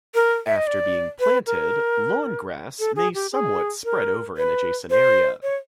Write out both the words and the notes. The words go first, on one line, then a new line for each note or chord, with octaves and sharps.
After being planted, lawn grass may somewhat spread over an adjacent area.
A#4
E5
D#5
D5
B4
A#4
A4
G#4
G4
G#4
A#4
B4
C5
C#5